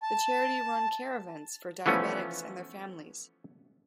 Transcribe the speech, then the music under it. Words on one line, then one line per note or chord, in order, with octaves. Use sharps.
The charity run Care Events for diabetics and their families.
A5
E3 F3 A3 B3 C#4